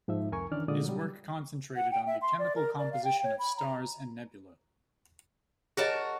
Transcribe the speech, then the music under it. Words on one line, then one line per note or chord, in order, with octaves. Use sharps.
His work concentrated on the chemical composition of stars and nebulae.
G#2 F3 D#4 E5
C2 F2 A#4 G#5 C#6
D#3 E3 C#4 D4 D5 F6
A#2 D3 G#3 F4 D5 D#6
F#3 G3
F#5
G5
E5
C6
D5
A#4
D5
F5
G5
C#5
B5
A#5
F#4 G#4 A#4 C#5 D#5 A5